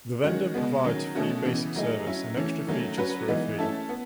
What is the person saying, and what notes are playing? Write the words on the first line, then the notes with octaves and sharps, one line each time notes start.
The vendor provides free basic service, and extra features for a fee.
D#3 G#3 C#4 F#4
B2 G#3 B3
D#3 F#3 C#4
B2 A3 C#4 F#4
C#3 E3 B3
F#3 A3 D#4 G#4
F#3 C#4 E4
E3 A3 C#4
D#3 F#3 A3 C#4
F#3 C#4 F#4 B4
E3 G#3 B3 D#4
A3 C#4 E4 A4
B3